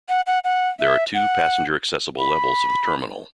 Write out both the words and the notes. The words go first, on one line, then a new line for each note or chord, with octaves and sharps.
There are two passenger accessible levels of the terminal.
F#5
F#5
F#5
E5
F#5
B5